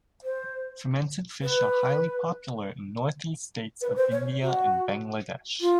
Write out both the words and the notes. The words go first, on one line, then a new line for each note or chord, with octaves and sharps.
Fermented fish are highly popular in Northeast states of India and Bangladesh.
C5
B4
B4
C5
C#5
F#4
F4